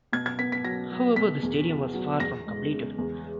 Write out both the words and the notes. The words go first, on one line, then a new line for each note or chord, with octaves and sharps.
However, the stadium was far from completed.
B2 G#6
G#6
B3 B6
B6
F#3 A#6
F#3
B2 B6
E2
B3
F#3
E2 A#6
G#3
C#3
E2